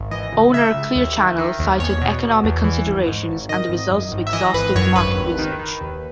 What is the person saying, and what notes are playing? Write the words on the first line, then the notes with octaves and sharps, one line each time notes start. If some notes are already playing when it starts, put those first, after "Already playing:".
Owner Clear Channel cited economic considerations and the results of exhaustive market research.
Already playing: G#1
E3 D#5
C#2
C#3 E5
C#2
D#2
D#3
D#3
D#2
E2 C#5
B2
B2
E2
E3
G#1
G#2
G#1
D#3 D#5
G#1
F#2
G#1
E5
E3 D#5
G#1 B4
F#2 C#5
G#1 B4
D#2
D#3
D#3
D#2